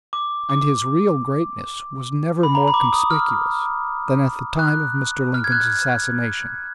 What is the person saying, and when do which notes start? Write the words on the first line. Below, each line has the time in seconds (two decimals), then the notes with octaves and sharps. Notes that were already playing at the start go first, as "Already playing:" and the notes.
And his real greatness was never more conspicuous than at the time of Mr. Lincoln's assassination.
0.13 D6
0.50 D6
2.43 B5
2.55 A#5
2.68 B5
2.74 D6
2.93 D#6
3.11 F6
4.59 F#6
5.34 F6
5.44 G#6
5.52 F#6